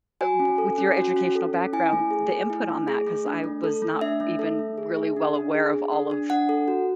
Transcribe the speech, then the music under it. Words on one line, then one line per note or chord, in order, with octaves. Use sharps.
uh, w with your educational background, the input on that 'cause I was not even really well aware of all of
F#4 G#5
C#4
A4
C#4
F#4
C#4
A4
C#4
E4 G#5
A3
G#4
A3
E4
A3
G#4
A3
D4
A3
A4
A3
D4 E5
A3
A4
A3
G#4
G#4
D4
D4
G#4
G#4
D4
D4
D4 F#5
A4
F#4